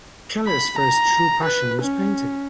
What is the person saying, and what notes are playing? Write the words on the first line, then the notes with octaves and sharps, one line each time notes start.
Keller's first true passion was painting.
B5
A#5
B4
C#4